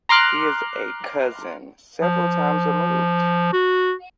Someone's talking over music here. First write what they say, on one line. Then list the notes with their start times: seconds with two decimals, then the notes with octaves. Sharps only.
He is a cousin, several times removed.
0.09 A#5 C6 D6 F6 F#6
2.01 F3
3.53 F#4